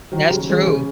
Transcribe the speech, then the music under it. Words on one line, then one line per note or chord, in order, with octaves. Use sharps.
That's true.
D#3 F#3
C#3
E3 G#3 C#4
C#3